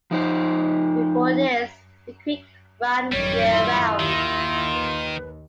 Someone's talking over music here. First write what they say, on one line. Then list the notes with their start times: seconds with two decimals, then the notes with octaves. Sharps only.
Before this, the creek ran year round.
0.11 F3 D#4 C5
3.12 A1 F#2 D#3 G3 C#5
3.52 E4 F4
4.00 D#2 D#3
4.73 B4